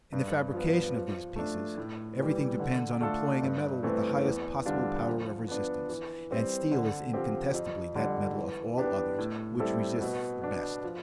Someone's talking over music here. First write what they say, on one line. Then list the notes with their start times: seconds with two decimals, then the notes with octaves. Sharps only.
In the fabrication of these pieces, everything depends on employing a metal with the highest possible power of resistance, and steel is incontestably that metal of all others which resists the best.
0.13 G2
0.54 F3 B3
0.96 F3
1.36 A3 D4
1.77 A2
2.19 E3 G3
2.60 D3
3.01 A3 D4 F4 A4
3.42 G2
3.83 E3 A3 C4
4.25 E2
4.65 D3 G3 D4 F4
5.07 F3
5.48 B3 D4
5.89 E3
6.31 G3 C4
6.72 D3
7.13 F3 C4 G4
7.54 F2
7.95 D3 G3
8.36 E3
8.78 B3 D4 G4
9.18 A2
9.60 G3 C4 E4 A4
10.01 B2
10.42 B3 D4
10.84 F3